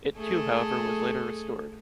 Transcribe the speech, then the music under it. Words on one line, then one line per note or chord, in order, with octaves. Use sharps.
It too however was later restored.
A3 G#4 A4